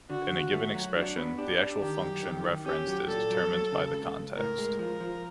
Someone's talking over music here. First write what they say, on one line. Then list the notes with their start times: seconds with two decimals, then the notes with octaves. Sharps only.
In a given expression, the actual function referenced is determined by the context.
0.10 D3 F#4
0.31 D#2
0.53 A3 F#4
0.75 F#3
0.96 D4
1.16 B3
1.38 D4 G4
1.59 D4
1.81 D#3 G4
2.02 F#2
2.23 D#3
2.44 D#3
2.66 C#4 G4
2.88 F#3
3.09 A#2 A4
3.30 F#3
3.51 F#3
3.72 C#3
3.93 C#2
4.16 C#2
4.37 A2 A#4
4.58 G#3
4.79 F3 A#4
5.00 F3